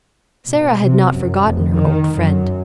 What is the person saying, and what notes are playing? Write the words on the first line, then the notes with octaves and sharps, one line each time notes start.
Sara had not forgotten her old friend.
B2
C3
F#2
F1
D#3
F#2